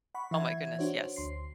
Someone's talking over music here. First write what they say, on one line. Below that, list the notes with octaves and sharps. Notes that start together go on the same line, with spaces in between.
Oh my goodness, yes.
F#5 B5 C#6
E3 E5 F#5 G#6
D4 F#4 C5 C#5
D2 C6 C7